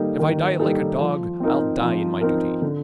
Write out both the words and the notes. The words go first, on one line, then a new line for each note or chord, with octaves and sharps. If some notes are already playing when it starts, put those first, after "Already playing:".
If I die like a dog, I'll die in my dooty.
Already playing: D#3 G3 A#3 D#4 A4
D#3
G3 A#3 D#4 A4
F3
C4 D#4 A#4
F3
C4 D#4 A#4
D3